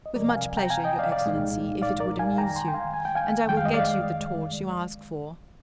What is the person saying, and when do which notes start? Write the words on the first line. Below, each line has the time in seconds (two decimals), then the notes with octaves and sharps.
With much pleasure, your excellency, if it would amuse you; and I will get you the torch you ask for.
0.06 D#5
0.15 C3 F3 C4 A#4 D5
0.29 F5 G#5
0.57 G5 A#5
0.70 F5 G#5
0.84 D#5 G5
0.99 D5 F5
1.12 D5 F5
1.26 C2 A#2 G#3 D#4
1.82 D5 F5
2.00 A#4 D5
2.19 F5 G#5
2.38 F2 D#3 G#3 G5 A#5
2.56 G#5 C6
2.68 G5
2.74 F5 G#5
2.94 G#5
3.05 G5
3.15 F5 G#5
3.49 F2 D#3 G#3 G5
3.57 F5
3.65 D#5
3.73 D5 F5